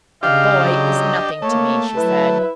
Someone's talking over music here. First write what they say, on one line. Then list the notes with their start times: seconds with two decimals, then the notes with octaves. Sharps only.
"The boy is nothing to me," she said.
0.23 C#3 D4 G4 D#5 F5
0.63 F#3
1.42 A3 A#3 C#5
1.96 F#3 E4 B4 E5